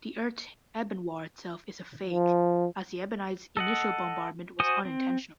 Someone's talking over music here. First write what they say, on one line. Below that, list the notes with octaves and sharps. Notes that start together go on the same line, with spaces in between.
The Earth-Ebon war itself is a fake, as the Ebonites' initial bombardment was unintentional.
F3
A4 D#5 F#5
F#4 C5 G#5 D#6
C4